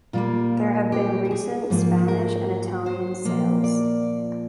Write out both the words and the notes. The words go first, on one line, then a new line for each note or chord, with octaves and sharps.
There have been recent Spanish and Italian sales.
A#2 G3 A#3 F4
G4
A#4
G#4
G#2 F3 A#3
A#4
C5
A#2 F3 A#3
D5